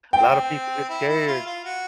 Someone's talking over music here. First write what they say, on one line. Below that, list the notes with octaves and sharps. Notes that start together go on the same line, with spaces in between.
Lotta people get scared
C4 G5
E4
E4
F4
F4
F#4